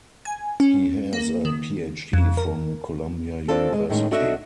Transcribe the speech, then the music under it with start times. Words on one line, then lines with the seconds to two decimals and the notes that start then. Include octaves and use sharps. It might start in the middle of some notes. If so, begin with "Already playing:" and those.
He has a PhD from Columbia University.
0.25 G#5
0.60 C#4
1.13 A#3
1.45 D#3
2.13 F2
2.37 A#4
3.48 C4 D4 F4 A4
3.72 G#3
3.89 A2 D#3 G#3 C#4
4.11 D4 F#4 A4 C#5 D#5 E5